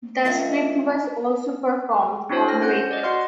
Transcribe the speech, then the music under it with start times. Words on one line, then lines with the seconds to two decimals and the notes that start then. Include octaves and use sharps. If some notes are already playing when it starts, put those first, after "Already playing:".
The script was also performed on radio.
0.25 D#2 A3 C#4 F4 D#5
2.29 C4 D4 E4 F#4 C5 C#5
2.48 C5 F6 A#6
2.61 C#4 F#5 F#6 G6
2.91 D5 D#5
3.03 F#4 F#5 C6 F6